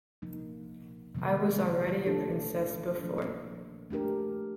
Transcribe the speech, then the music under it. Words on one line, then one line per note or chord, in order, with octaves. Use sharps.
I was already a princess before.
C3 F3 A#3 D#4
C3 D#3 F#3 A#3
A3 D4 F4 A4
F3 A#3 D4
A3 D4 G4 A#4